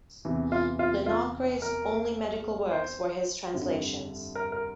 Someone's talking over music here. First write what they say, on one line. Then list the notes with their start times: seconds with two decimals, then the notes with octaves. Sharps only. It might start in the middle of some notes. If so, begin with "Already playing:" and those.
Linacre's only medical works were his translations.
0.25 E2 C3 E3
0.52 F4
0.79 F4
1.06 F4
1.62 A#4
2.71 C5
3.53 G1 F2 D3 G3
4.35 A#4
4.52 A#4